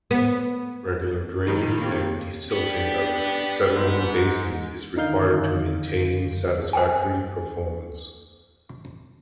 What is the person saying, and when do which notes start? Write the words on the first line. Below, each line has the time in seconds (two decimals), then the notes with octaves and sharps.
Regular draining and desilting of settling basins is required to maintain satisfactory performance.
0.11 B3
1.47 F2 D#3 D#4
1.81 C#3 A#3 C4 G4
2.51 B3 D4 G4
3.74 G#2
4.96 D3 D#3 D#4 F5 G6
6.73 C5 G5 G#5